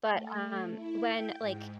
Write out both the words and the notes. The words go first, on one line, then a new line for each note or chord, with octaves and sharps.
but, um, when, like,
A3
E4
G5
G#2